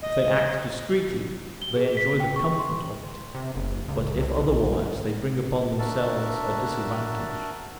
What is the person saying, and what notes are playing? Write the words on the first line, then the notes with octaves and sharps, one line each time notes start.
If they act discreetly, they enjoy the comfort of it; but if otherwise, they bring upon themselves a disadvantage.
D#5
G7
G#4
B6
G5
C#6
C6
C3
F#1
C#2
C2
A#1
D4 F#4 A#4 E5 A5